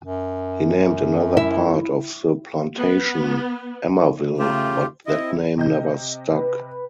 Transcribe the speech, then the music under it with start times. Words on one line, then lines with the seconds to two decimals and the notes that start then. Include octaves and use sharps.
He named another part of the plantation Emmaville, but that name never stuck.
0.04 F#2
1.37 E4
2.77 B3
4.39 C#3 A3 F4 G4
5.06 C4 E4 D#5
5.58 C3 D#5 G6
6.36 B4